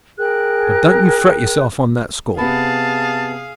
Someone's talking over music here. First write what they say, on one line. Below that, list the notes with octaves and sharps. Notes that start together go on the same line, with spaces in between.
But don't you fret yourself on that score.
G#4 A#4 G5 F#6
C3 B3 G#4 F5 A5 B5